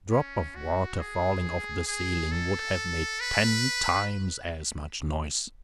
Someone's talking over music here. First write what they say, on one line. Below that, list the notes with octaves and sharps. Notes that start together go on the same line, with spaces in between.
"A drop of water falling off the ceiling would have made ten times as much noise!"
C#4
F#4
G#4
G#4
A4
B4